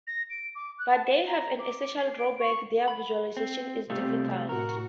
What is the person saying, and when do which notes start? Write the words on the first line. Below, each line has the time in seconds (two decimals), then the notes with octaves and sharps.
But they have an essential drawback: their visualization is difficult.
0.07 A#6
0.30 D7
0.55 D6
0.78 F#6
0.92 A5
1.06 E7
1.27 A#5
1.59 D6
1.98 C7
2.17 D7
2.39 C#6
2.88 B5
3.37 C4
3.90 C3 G3 A3 B3 C4 F4
4.49 A2 F#4 A#4